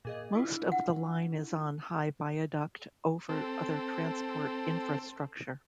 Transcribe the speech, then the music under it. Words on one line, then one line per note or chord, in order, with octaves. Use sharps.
Most of the line is on high viaduct over other transport infrastructure.
A#2 G#4 D#5
D4 E4 F4
F#5
C4 A4